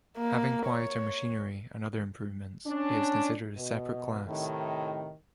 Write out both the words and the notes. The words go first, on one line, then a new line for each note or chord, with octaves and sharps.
Having quieter machinery and other improvements, it is considered a separate class.
A#3
C#5
C#4 D4
B2
A2 C3 D#3